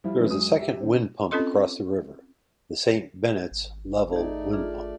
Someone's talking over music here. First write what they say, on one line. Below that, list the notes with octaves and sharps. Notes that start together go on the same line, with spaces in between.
There is a second windpump across the river, the Saint Benet's Level windpump.
F3 G3 E4 F4
D3 E3 F#3 A3 B3 C#4
F#2 G#3 D#6
G4 E5
D3 C4
C4 C#4 F4 A4 D#5 C6
G#1
A3 D#4 G4 G#4 D5
D4 F4 G#4